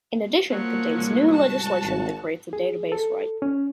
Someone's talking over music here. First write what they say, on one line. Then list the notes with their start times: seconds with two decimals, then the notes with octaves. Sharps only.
In addition, contains new legislation that creates a database right.
0.51 F3 F#3 A#3
0.98 C2 G#2
1.31 F#4 A5
1.83 G#1
2.53 G#4
2.92 A4
3.42 C#4